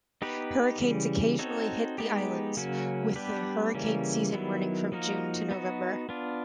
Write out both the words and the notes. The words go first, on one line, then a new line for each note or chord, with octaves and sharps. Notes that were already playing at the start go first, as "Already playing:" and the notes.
Hurricanes occasionally hit the islands, with the hurricane season running from June to November.
B3 D#4 G4 B4
C#3 E3 G3
C4 D#4 F#4 A4 C#5
G#3 B3 D#4 G4
C#3 F#3 A#3 C#4 F#4
G3 B3 D4 G4 B4
C#3 E3 G3 A#3 C#4
D#3 F#3 B3 E4
F3 A#3 D#4 F#4 A#4
B3 D#4 F#4
B3 D4 F4